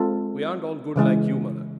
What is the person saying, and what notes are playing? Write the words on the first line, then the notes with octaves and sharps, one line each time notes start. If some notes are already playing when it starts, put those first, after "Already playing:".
We aren't all good like you, mother.
Already playing: G#3 C4 F4 A4
C#3 E3 G#3